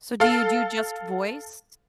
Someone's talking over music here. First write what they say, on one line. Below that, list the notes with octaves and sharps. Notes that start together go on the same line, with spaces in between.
So, do you do just voice?
A4 F5